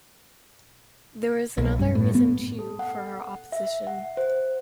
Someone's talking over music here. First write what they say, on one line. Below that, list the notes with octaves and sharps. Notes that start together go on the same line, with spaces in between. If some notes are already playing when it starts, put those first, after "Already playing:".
There was another reason too for her opposition.
B1
G2
A2
B3
A4
F#5
E5
F#5
C5